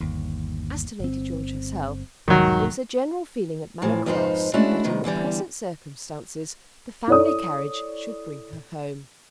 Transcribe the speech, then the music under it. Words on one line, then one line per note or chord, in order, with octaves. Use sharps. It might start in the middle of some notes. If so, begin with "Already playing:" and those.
As to Lady George herself there was a general feeling at Manor Cross that in the present circumstances the family carriage should bring her home.
G1 D#2
G1 C4
E1 C2 G#2 D#3 F#3
F#2 A2 E3 F3
F2 G#2 F3 D#4 B4 C5
G#3 A3 C#4 D4 E4 F#4
C3 D#3 B3
E2 D3 E3 G3
E4 A4 C#5 D5 D#6